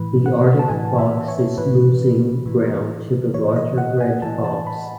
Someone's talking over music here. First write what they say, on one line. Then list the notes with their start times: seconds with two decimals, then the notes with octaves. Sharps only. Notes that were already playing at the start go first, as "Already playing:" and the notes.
The Arctic fox is losing ground to the larger red fox.
Already playing: A2 E3 B4
0.26 F#5
0.59 A5
0.69 A2 E3 G#5
0.99 E5
1.28 C#5
1.58 A2 E3 B4
2.45 A2 E3
3.34 E3 C#5
3.38 A2
3.56 D#5
3.78 F#5
4.01 G#5
4.22 A2 E3 A5
4.44 A5
4.67 B5